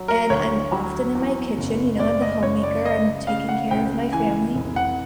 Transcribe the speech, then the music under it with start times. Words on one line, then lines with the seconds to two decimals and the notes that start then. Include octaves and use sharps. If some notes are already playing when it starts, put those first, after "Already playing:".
and I'm often in my kitchen, you know, I'm the homemaker. I'm taking care of my family,
Already playing: F#3
0.08 A#4
0.30 D2 C#5
0.72 F#3
1.15 E2
1.58 F#1
2.00 F#1 D5
2.22 D#5
2.42 F#1 C#5
2.63 D5
2.85 C#3 D#5
3.27 C#3 F5
3.49 F#5
3.71 C#2 G5
4.12 E3 G#5
4.55 F1
4.76 F#5